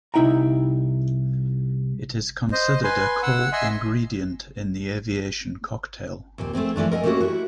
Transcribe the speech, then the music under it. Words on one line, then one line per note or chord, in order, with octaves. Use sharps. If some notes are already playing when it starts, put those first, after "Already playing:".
It is considered a core ingredient in the Aviation cocktail.
C2 D#4 E4 G5 A#5
C5 D#5
B4 G#5 C6
F#5 E6
D#5 E5 G#5 C6 E6
D#2 A#2 C4
A3 A#3 C4 G#4
E3 F3 A3 D4
A#4 D#5 F#5 G#5
A3 A#3 C4 C#4 F#4 G4
A3 E4 F#4